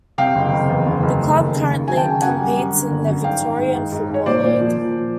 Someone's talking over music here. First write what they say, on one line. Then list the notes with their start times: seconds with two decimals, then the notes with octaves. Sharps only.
The club currently competes in the Victorian Football League.
0.18 C3 F5 G5
0.35 F#1
0.52 F#1
0.69 E2
0.86 F#1
1.03 F#1
1.20 A3
1.37 D#2
1.54 C#3
1.71 D#2
1.88 F#3 G#5
1.96 G5 A5
2.05 C#3
2.22 F#2 F#5 G#5
2.39 G3
2.56 F#2
2.73 D3
2.90 G1
3.07 F#2
3.24 G#2 F5 G5
3.41 D#3
3.58 G#2
3.75 G#2
3.92 G#2
4.09 G#2
4.14 C#5
4.26 A#2 C5 D5
4.43 A#2
4.60 F3
4.77 A#2